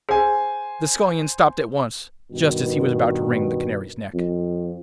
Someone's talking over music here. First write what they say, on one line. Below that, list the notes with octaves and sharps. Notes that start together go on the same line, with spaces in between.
The Scullion stopped at once, just as he was about to wring the Canary's neck.
G#4 C5 G#5
G2 B2 D#3
F2